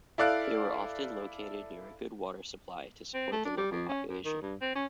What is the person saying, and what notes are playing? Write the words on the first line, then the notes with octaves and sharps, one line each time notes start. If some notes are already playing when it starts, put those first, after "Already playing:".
They were often located near a good water supply to support the local population.
E4 A4 D5 F5 F#6 D7
C4
A3
D4
G3
F2
C#4
F#2
D#3
G2
C4
C#4